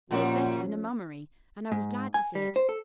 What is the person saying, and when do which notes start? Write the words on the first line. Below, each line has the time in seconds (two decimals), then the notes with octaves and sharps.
It was better than a mummery, and I was glad to see it.
0.11 F#2 A#2 F3 G3 C#4 F#4
1.72 G#2
2.14 G#5
2.35 G3
2.56 C5
2.69 A4